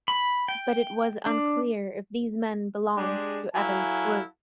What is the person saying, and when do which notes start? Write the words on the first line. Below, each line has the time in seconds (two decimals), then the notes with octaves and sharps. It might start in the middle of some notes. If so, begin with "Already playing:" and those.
But it was unclear if these men belonged to Evans' group.
0.08 B5
0.48 G5
1.26 D4
2.95 G#3 D4 G4
3.54 F#3 E4 A4 F5 F#5 G#5